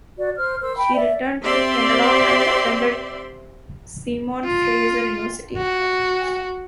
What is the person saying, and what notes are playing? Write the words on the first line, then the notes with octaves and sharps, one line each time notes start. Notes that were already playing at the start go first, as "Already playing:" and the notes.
She returned to Canada and attended Simon Fraser University.
F#4 D5
C5 F6
A#4 C5 E6
G5 B5
D5 E5
C4 G4 D5 E5 C6
F4
F#4